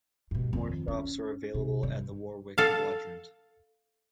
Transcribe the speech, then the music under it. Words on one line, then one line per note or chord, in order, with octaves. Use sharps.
More shops are available at the Warwick Quadrant.
G2 B2
F2 D#3
C#4
C3
G2
A4 F5